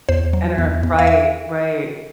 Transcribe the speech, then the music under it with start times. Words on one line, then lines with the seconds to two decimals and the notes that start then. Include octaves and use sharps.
And Earth, right, right.
0.09 E2 C5
0.33 F#3
0.58 E2
0.83 E2
0.99 F5
1.07 E5